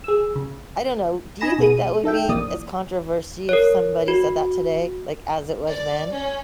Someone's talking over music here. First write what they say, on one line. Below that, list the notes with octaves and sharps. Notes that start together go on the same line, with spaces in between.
I don't know. Do you think that would be as controversy if somebody said that today, like, as it was then?
G#4 E6
C#3
D#4 D#5 G#5 B5 A#6 E7
B2 G#4 D#7
D#4 A4 E5 G5
A#1 F2 E3 A#3 D5 D#6
A#4 C#5
F#4
D5
C#4